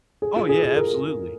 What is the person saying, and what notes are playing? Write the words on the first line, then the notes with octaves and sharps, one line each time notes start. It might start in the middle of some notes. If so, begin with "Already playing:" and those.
Oh, yeah. Absolutely.
G#4
F4
G#4
G#4
A#4